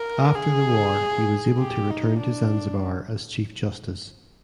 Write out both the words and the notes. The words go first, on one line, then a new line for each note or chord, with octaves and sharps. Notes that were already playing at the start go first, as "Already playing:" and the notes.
After the war he was able to return to Zanzibar as Chief Justice.
Already playing: A#4
G#4
G4
D#4
D4